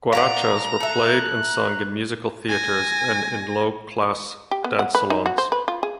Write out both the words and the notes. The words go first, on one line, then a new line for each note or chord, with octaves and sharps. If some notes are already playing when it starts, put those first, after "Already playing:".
Guarachas were played and sung in musical theatres and in low-class dance salons.
A#2 D4 F5 F#5 A#5
A4 E5 F#6
G#5 A#6
G4
B3
F#5
B4
D#4
F#4
C5
B4
F4
G#4